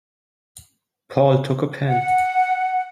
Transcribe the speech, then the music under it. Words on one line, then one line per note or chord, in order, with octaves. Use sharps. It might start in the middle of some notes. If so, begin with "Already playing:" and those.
Paul took a pen.
F#5